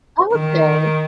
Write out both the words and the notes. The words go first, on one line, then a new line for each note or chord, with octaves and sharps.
Oh, okay.
D#3